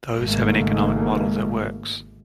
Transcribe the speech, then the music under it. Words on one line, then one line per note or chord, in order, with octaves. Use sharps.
Those have an economic model that works.
G#1 G#2 C#3 A3 A#3